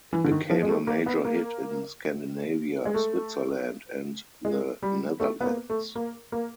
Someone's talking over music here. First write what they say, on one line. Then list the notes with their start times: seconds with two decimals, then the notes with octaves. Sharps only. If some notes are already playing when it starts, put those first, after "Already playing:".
It became a major hit in Scandinavia, Switzerland and the Netherlands.
0.13 E3
0.24 D3
0.32 D#3
0.50 F3
0.63 G#3
0.69 A3
0.87 A#3
1.06 B3
1.25 A#3
2.85 G#3
2.94 A3
4.45 G#3
4.83 G3
5.20 A3
5.41 B3
5.46 A#3
5.70 A3
5.95 A#3
6.32 A#3